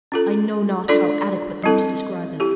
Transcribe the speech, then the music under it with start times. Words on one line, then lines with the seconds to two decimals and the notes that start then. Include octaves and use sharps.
I know not how adequately to describe it.
0.12 C#4 F4 A4
0.88 D4 F4 A4 D5
1.64 G3 C4 E4 A4
2.40 E4 G4